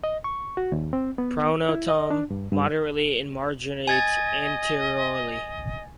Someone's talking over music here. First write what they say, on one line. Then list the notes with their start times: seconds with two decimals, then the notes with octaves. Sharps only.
Pronotum moderately emarginate anteriorly.
0.04 D#5
0.24 C#6
0.57 F#4
0.72 D#2
0.93 C4
1.18 B3
1.69 E4
1.88 D#5
2.10 D4
2.31 G2
2.52 G2
3.87 D#5 G#5 G#6 A6